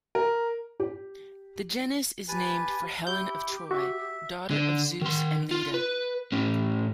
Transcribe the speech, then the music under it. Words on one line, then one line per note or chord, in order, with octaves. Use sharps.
The genus is named for Helen of Troy, daughter of Zeus and Leda.
A#4
G4
G4 B4 G#5 A5
E4 G4 G6
F#4 E5
D3
D#3 C6
F4
B4
A2 C#4